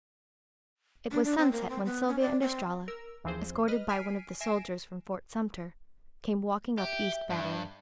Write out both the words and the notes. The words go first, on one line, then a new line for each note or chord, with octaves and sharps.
It was sunset when Sylvia and Estralla, escorted by one of the soldiers from Fort Sumter, came walking up East Battery.
D4
D4
C4
A#3
C4
B3
C#4
D5
C4
A#4 E6
D#2 E3 F3 C4 G#4 C5
B4 D#5 F6
G#5 F6 B6 C7 D7 D#7
E5 G#5 A#6 C7 D7 E7
G4 E5
G2